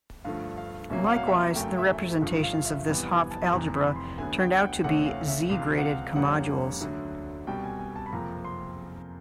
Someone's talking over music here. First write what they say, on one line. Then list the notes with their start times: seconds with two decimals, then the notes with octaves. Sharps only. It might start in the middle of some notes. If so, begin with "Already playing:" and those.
Likewise the representations of this Hopf algebra turn out to be Z-graded comodules.
0.24 G2 D3 F3 A3 F5
0.57 F5
0.90 C2 B2 F#3 A#3 C#4 E5
1.06 F#5
1.12 F5
1.27 E5
1.33 F5
1.56 G#1 F#2 C#3 F#3 A3 G5
1.77 E5
2.21 A1 G2 D3 F3
2.43 F5
2.65 E5
2.87 F2 C3 E3 G3 B3
3.09 G#5
3.31 A5
3.52 F1 F2 C3 E3 A#5
3.75 B5
3.96 C6
4.18 D2 D3 F#3 B3 G#5
4.40 G5
4.54 F#5
4.62 G5
4.84 D2 C3 E3 A3 C#4 F#5
5.06 F5
5.28 E5
5.50 C#2 C3 F3 F5
5.78 F#5
5.82 F5
6.15 F2 D3 G3 A#3 C#4 F#5
6.81 D2 D3 F#3
7.47 C2 B2 G3 G5
7.64 G#5
7.79 G#5
7.96 A5
8.06 B5
8.12 F#1 F2 C3 F3 A#5
8.45 C6